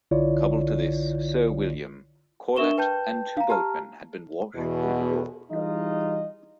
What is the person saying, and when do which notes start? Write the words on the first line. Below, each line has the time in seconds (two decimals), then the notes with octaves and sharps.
Coupled to this, Sir William, Corlett and two boatmen had been washed overboard.
0.11 B1 D3 E4 F4 C#5 D5
2.56 D4 A#4 E5 C#6 E7 G7
2.78 B4 G5 A5 G6
3.37 F5 A#5
3.50 G4 A5 A#5 F6
4.55 E2 B2
5.51 E3 G3 D#4 F4 G#4 D#5